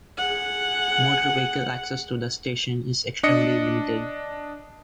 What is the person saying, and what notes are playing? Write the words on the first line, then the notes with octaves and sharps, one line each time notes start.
Motor vehicle access to the station is extremely limited.
G#4 F#5
D4 D#5 C#7